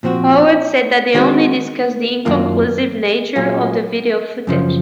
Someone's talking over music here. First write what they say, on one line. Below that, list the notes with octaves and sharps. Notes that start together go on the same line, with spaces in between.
Howard said that they only discussed the inconclusive nature of the video footage.
A#2 F3 C4 F#4
D#3 G#3 C4 F#4
F#2 D#3 A#3 F4
A#2 F#3 C#4 F4 G#4
F#2 C#3 F3